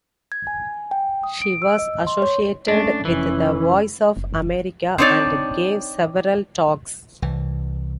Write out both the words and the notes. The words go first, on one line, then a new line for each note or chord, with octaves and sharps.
She was associated with the 'Voice of America' and gave several talks.
G#6
G#5
G5
D#6
D7
E6
D#5
C6
C#5
A3 C#4 D4
F1 E3 C#4
F#1
C4 D4 D#4 C#5 D5
C2 E3